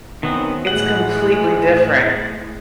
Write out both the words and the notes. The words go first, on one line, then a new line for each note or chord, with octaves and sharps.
it's completely different
F#2 D#3 B3 C4
A2 E3 G#3 G#4 F#5